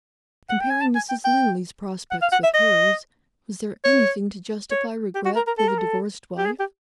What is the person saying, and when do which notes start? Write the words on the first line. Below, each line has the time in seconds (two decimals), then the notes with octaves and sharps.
Comparing Mrs. Linley's prospects with hers, was there anything to justify regret for the divorced wife?
0.49 F#5
0.60 G5
0.70 G#5
0.80 A5
0.95 G#5
1.09 G5
1.24 G5
2.11 F#5
2.22 F5
2.32 F#5
2.44 E5
2.54 D#5
3.84 C#5
4.71 C#5
5.15 G4
5.25 F#4
5.36 A#4
5.47 A#4
5.58 A4
5.68 A#4
5.78 A4
6.38 G4
6.45 G#4
6.59 G4